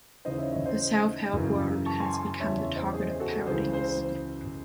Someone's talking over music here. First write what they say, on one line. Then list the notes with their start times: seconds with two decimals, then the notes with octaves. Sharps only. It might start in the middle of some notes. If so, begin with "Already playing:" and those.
The self-help world has become the target of parodies.
0.25 D#2 C#3 E3 C5 D#5
0.38 C#5 E5
0.52 C#5 E5
0.66 C5 D#5
1.33 F#2 C#3 E3
1.86 A5 C#6
2.00 G#5 C6
2.14 G#5 C6
2.27 A5 C#6
2.40 E2 C#3 E3 C#5 E5
2.58 C#5 E5
2.76 C5 D#5
2.93 G#4 C5
3.20 F#4 A4
3.47 C#2 C#3 E3 G#4 C5
3.73 C5